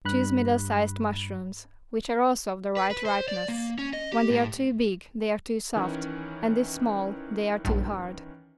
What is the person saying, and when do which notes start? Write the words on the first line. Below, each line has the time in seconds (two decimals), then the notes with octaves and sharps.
Choose middle-sized mushrooms, which are also of the right ripeness: when they are too big they are too soft and if small they are too hard.
0.05 G2 B5 F#6
2.77 B4
2.90 B4
3.05 C5
3.28 D5
3.48 A#3
3.78 C#4
3.93 D#5
4.13 G4
4.30 A2
5.76 D#3 E3 C#4
7.65 A#1 G2